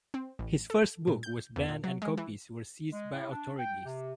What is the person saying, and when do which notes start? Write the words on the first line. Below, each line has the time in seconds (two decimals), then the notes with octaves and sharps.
His first book was banned and copies were seized by authorities.
0.14 C4
0.39 A1
0.70 A4
1.07 A#2
1.23 G6
1.56 E2
1.69 A#2
1.84 F#3
2.02 G#3
2.17 E3
2.92 G#3
3.12 A2
3.30 D4
3.58 G5
3.85 C3